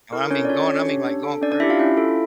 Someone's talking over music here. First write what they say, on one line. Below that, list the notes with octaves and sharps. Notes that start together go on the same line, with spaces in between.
And I mean, gone I mean, like, gone forever.
E4 A4 A#4
C#4 D4 C#5
D5
C#4 F4 A4 C#5
D4
G4
D4
A4
C#4 D4 D5
D4 D5
E4 G4 E5
F4 F5
C#4 E4 E5
F4 A4